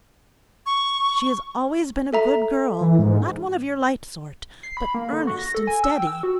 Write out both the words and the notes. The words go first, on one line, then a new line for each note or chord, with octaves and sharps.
She has always been a good girl: not one of your light sort, but earnest and steady.
C#6
A4 E5 A#5
E3
G#2
C7
B5
A#3
D3
F#4
A#6
A4
G#5
E6
G5
E6
F#4